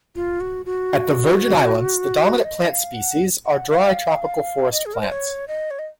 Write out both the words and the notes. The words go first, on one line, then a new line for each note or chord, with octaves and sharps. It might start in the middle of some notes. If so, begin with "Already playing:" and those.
At the Virgin Islands, the dominant plant species are dry tropical forest plants.
F4
F#4
F#4
D#5
F5
F#5
F#5
F5
D#5
G#4
A#4
C5
C#5
D#5
C#5
D#5